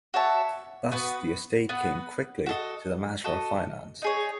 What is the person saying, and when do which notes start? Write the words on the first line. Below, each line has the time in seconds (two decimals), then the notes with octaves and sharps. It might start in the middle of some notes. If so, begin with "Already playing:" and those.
Thus the estates came quickly to the matter of finance.
0.14 F#4 C#5 E5 A5
0.91 B3 F#4 B4
1.69 B3 F#4 B4
2.46 F#4 A4 D#5
3.24 F#4 A4 D#5
4.02 D#4 G#4 C#5